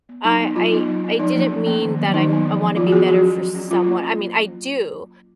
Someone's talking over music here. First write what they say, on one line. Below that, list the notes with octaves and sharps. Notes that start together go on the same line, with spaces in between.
I I I didn't mean that I'm I wanna be better for someone I mean, I do.
B3
F#3 D#4
B3
F#3 F4
B3 D#4
F#3
B3
F3 D#4
A#3 C#4
F3
A#3 C#4
D#3
F#3 B3
D#3 D#4
F#3 B3
F3
B3
F3 F4
F#4
B3 G#4
F#3 F#4
C#4
F#3
C#4
F#3 F4
A#3 C#4